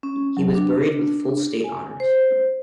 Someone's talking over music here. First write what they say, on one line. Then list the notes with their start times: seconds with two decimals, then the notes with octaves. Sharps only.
He was buried with full state honours.
0.03 C#4
0.37 F#3
0.55 D4
1.64 G#5
2.00 C5